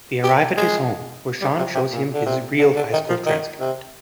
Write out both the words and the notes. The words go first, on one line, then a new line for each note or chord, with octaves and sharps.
They arrive at his home, where Shaun shows him his real high school transcript.
G4
G#3
G3
C3
C3
A#2
D3
C3
D3
D3
D#3
F3
D#3
C3